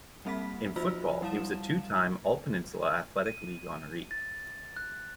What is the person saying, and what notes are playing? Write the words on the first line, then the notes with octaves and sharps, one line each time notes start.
In football, he was a two-time All-Peninsula Athletic League honoree.
G3 A#3 C4 E5 B5 B6
F3 F4 F#4 C5 B5
G3 E4 F5 A5 E7
D#7
A6
F#6